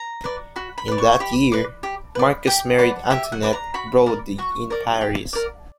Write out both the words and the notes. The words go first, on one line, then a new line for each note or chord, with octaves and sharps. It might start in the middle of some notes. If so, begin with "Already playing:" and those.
In that year, Marcus married Antoinette Brody in Paris.
Already playing: A#5
B4 D5
F#4 B5
B5
B4 D5
C#6
G4 B5
B4 D5
G4
B4 D5
G4 G5
B4 D5 F#5
G4 E5
F#5
B4 D5
A#5
F#4 B5
A#4 D5
F#4 C#6
A#4 D5
G4
A#4 D5